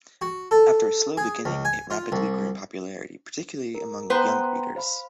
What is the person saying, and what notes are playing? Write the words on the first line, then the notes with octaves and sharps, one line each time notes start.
After a slow beginning, it rapidly grew in popularity, particularly among young readers.
F#4
A4
G#4
C#2
G#5
F4
C2
A#4
B3 B4 C5 G5 A#5 C6
C5 F5 B5